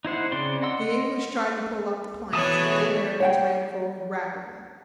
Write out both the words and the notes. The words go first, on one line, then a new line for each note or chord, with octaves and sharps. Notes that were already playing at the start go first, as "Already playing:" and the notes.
The English tried to pull up the planks, but the Americans ran forward rapidly.
D#4 E4 C5 F#5
C#3 C4 D5 C6
D#5 F#5 C6 E6
B2 E3 A3 C#5 A5 D#6 F#6
C#5 F#5 G5